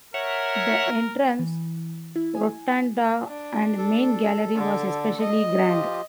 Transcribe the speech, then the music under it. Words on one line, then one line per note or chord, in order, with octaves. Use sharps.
The entrance rotunda and main gallery was especially grand.
A#4 C#5 E5 F#5
E3
E4
G#5
D4
A4
D3
D#5
F3 F4 G4